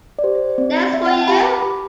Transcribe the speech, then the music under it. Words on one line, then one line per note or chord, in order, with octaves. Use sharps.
There's for you!
D5
G4 C5
C4 D5
C4 E5
F#5
G5
A5
G4 B5
D6
G4 D6